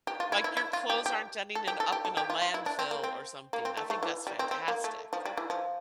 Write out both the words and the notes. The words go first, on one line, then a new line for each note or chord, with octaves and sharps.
Like, your clothes aren't ending in up in a landfill, or something. I think that's fantastic.
G4
F4
E4
E4
E4
F4
G4
G4
A4
G4
A4
G4
A4
G4
F4
F4
E4
D4
C4
A#3
C4
A#3
C4
A3
A3
E3
G3
C4
C4
A#3
A3
F3
G3
E3
F3